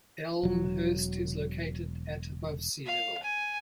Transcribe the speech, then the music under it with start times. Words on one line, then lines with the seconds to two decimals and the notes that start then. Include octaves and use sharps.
Elmhurst is located at above sea level.
0.43 E1 F#3
2.86 F5
3.22 G#5